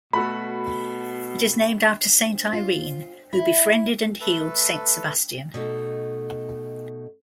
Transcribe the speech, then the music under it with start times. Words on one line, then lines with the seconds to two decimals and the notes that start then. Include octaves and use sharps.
It is named after Saint Irene, who befriended and healed Saint Sebastian.
0.13 B2 A3 F#4 A4 B5
2.53 F4
3.33 E4
4.20 A3 A4 B4
5.54 B2 A3 D#4